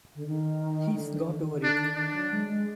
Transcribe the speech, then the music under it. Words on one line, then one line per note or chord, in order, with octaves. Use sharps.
He’s got over it.
D3
D#3
D3
D#3
D3 D4
D#3
D#3 D4
F#3
G#3
G#3